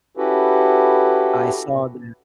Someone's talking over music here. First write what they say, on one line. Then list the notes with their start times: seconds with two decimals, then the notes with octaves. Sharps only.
I saw that,
0.17 C#4 E4 F#4 G4 A4 B4